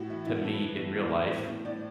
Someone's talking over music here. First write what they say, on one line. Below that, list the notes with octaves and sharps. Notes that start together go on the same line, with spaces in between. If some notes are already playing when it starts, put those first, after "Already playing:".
to meet in real life.
Already playing: A2 F#4
E3 E4
A2 E4
F#4
A2 A4
B4
E3
A2
A2
E3
A2 C5
A2
A2 D5